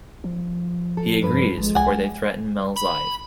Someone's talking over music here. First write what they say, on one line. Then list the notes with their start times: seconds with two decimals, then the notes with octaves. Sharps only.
He agrees; for they threaten Mel's life.
0.24 F3
0.97 A4
1.22 G2 D4 B4
1.57 G#1 F3 G#3
1.75 C2 F#5 G#5
2.76 B5